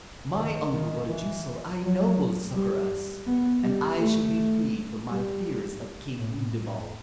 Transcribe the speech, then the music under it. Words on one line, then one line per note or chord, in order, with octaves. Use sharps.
"My uncle Godegesil I know will succor us, and I shall be freed from my fears of King Gundebald."
D#3
D#3
E3
F#3
G3
B3
G3
A3
G3
A2